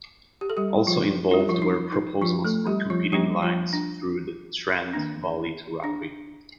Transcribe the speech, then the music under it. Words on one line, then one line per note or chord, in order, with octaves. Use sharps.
Also involved were proposals for competing lines through the Trent valley to Rugby.
G4
A4
G3 G4
F3 F4
G3 D4 F4
G4
F3 F4
D#4
D#4
F3 F4
A3 A4
G3 G4
F3 F4
F3 G3 A#3 D4 G4
F3 F4
D4
D#3 A#3 D4
D4